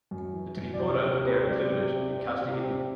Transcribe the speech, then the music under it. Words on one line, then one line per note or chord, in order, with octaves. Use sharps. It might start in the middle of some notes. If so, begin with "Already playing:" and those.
In Tripura they are included in Caste Hindu.
F#2
E3
F#2
D5
C3 C5
C3
C5
C4 B4
C5
F#3 D5
C3
C4
C4
C3
C4